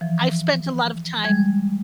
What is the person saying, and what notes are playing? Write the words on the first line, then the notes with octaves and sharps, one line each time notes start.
I've spent a lot of time
E3 F3
G3 G#3 G#6